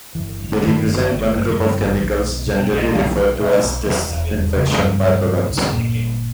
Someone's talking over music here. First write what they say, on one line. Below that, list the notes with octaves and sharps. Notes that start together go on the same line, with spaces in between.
They represent one group of chemicals generally referred to as disinfection by-products.
G1 E3
G2
G2 D#3
G1
G#1
G2
G2
G#1
B1 E3
B2
B2
B1
B1 E3
B2
B2
B1
E1 E3
E1
E2
C#3
G#3
C#2 G2 G3
B2
B2
C#2
G1 A#2 A#3
G2